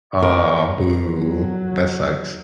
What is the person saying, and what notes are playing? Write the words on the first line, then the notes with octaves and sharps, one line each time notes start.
Aw, boo. That sucks.
A#4
F#3